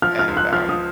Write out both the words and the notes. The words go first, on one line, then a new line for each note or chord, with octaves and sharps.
and, um
F3 F6
F6
C#2
F#6
F3 F6
D#6